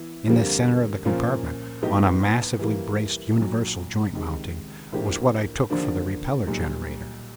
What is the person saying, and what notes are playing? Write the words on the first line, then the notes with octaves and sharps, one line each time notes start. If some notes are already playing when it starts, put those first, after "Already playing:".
In the center of the compartment, on a massively braced universal joint mounting, was what I took for the repellor generator.
Already playing: E3 B3 E4
F2 D3 G3 A#3
A#2 F3 A#3 C#4 F4
A2 F#3 B3 D#4 G4
E3 G3 A#3
B1 A#2 F#3
C#2 C3 D#3
A2 F3 A#3 D4 G4
D#2 D3 F3 A#3 D4
B1 A#2 G3